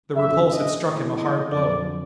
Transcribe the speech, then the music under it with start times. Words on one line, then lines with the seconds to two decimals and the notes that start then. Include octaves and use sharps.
The repulse had struck him a hard blow.
0.14 G#1 F#2 D3 F#3 E5
0.50 D#5
0.83 A#1 A2 E3 G#3
1.17 D#5
1.51 F2 D3 F#3 D5